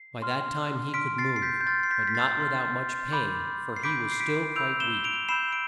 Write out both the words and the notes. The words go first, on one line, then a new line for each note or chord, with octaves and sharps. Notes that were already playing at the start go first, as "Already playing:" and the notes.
By that time he could move, but not with-out much pain, for he was still quite weak.
Already playing: C7
C6 F6
C6 F6 B6 D7
A6 C7
C7
G6 B6
G6
C6 F6 A6
C7
G6 B6
B6
A6 C7
C6 F6
B5 D6 G6
C7
B5 D6 G6 B6 D7
C7
B6 D7
B5 E6 G6 D7 F7
E7 G7
D7 F7
B5 E6 G6 C7 E7
D7